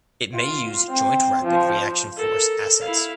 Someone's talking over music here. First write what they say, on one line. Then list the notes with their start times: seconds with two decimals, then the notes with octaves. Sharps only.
It may use Joint Rapid Reaction Force assets.
0.35 F4
0.90 C4
1.44 F3
2.16 A4 A#4
2.81 E4 F5